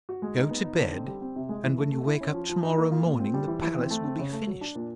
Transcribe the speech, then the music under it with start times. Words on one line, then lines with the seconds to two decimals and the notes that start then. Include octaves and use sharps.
Go to bed, and when you wake up to-morrow morning the palace will be finished.
0.09 F#4
0.22 G#3
0.37 D#4
0.51 B3
0.64 D#4
0.79 D3
0.93 C4
1.07 G3
1.22 C4
1.36 C3
1.49 G#3
1.64 E3
1.78 A3
1.92 A3
2.06 E4
2.21 C#4
2.34 F3
2.49 F3
2.63 D#4
2.77 A#3
2.91 F4
3.06 A#2
3.20 C4
3.34 G3
3.47 E3
3.62 E3
3.76 C4
3.90 A3
4.05 C4
4.19 C#3
4.33 A3
4.47 F#3
4.61 D4
4.75 A#2